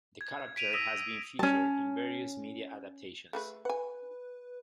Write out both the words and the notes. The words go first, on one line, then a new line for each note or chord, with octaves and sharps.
The character has been featured in various media adaptions.
G#6
B6 D7 D#7 F7
D#6 E6 A#6 B6 E7
C#4 A5
A3 G#4 B4
B4 F#5 G#5